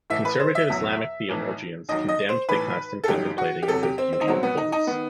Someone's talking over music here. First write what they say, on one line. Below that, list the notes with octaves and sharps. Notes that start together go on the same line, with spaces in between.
Conservative Islamic theologians condemned the custom of contemplating the beauty of boys.
A1 A2 E3 E5
B4
C5
E5
F#1 E2 B2 F#3
B1 A2 E3
D#2 D#3 F#3 D#5
D#5
C5
B1 A2 E3 B4
A4
G1 F#2 D#3 F#3 G4
F#4
G4
E2 C3 F#3 A4
G4
C4
C4
D#4
C2 B2 F#3 C4
B3
D#4
D#4
D#3 B3